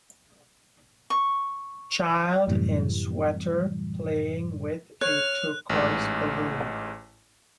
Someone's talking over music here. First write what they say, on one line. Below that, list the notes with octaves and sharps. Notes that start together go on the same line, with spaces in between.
Child in sweater playing with a turquoise balloon.
C#6
F#2 A2 C3 E3 G3
C#5 F6 F#6
A1 G#2